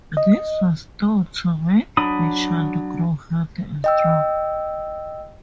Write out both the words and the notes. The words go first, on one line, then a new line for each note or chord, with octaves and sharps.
This was thought to make the child grow healthy and strong.
D#5
F#3 D4 B5 D#6
D#5 G5 E6